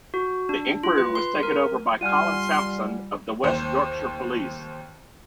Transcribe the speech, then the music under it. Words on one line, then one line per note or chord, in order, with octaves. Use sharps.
The inquiry was taken over by Colin Sampson of the West Yorkshire Police.
F#4
D4
F4
B4
C6
A#4
G3 F4 F#5 G#5 C6 F6 D#7
D#2 C5